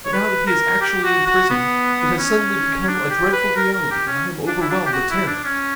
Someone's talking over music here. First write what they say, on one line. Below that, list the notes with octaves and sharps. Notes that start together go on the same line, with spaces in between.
But now that he is actually in prison, it has suddenly become a dreadful reality and I am overwhelmed with terror.
C#5
B4
A#4
G4
F#4
F#4
B3
C#4
D4
G4
B4
A#4
A#4
G4
C#4
D4
E4
D4
G4
F#4
E4
D4
C#4